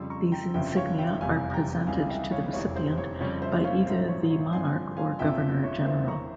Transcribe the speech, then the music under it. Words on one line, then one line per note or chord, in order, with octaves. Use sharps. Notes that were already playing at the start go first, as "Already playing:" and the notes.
These insignia are presented to the recipient by either the monarch or governor general.
Already playing: F2 C#3 G3 C6 E6
A#5 C#6
G5 A#5
G1 F2 C#3 F3 C4 E5 G5
G5
C#5 F5
E5 G5
F1 E2 C3 G3 F5 G#5
G5 A#5
C#2 C3 E3 G3 F5 G#5
E5 G5
C#5 F5
F1 E2 C3 E3 C#5
C5
C#5
F2 C#3 G3 C4 C#5
C5 E5
C#5 F5
A#1 G#2 F3 C5 E5
C#5
C#5
G2 F3 C4 G#5 C6
F5 G#5
G1 F2 C3 F3 E5 G5
C#5
E2 E3 A#3 C5 E5
A#5 C#6